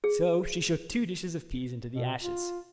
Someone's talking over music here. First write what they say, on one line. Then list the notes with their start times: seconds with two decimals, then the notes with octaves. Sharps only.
So she shook two dishes of peas into the ashes.
0.04 G#4
1.92 B2
2.22 F4